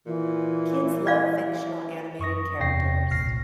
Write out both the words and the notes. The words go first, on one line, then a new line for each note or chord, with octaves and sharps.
Kids love fictional animated characters.
A#2 E3
D5 F5
F#2 C#6 D#6 A#6
E2 C3 G5 C#6 A#6 C7
G1 C#2 A#2 F6 A#6 C7